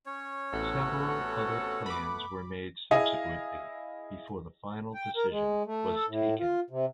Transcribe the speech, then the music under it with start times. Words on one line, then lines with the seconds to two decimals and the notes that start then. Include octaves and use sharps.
Several other plans were made subsequently before the final decision was taken.
0.06 C#4 C#5
0.53 A1 C3 A3 B3 F#4 A4 F#5
1.86 B5 D6
2.91 E4 G#4 D#5 F5 G#5
4.95 G5
5.17 A#4
5.30 G#3
5.66 A3
5.95 A4
6.08 A2
6.40 F4
6.70 C3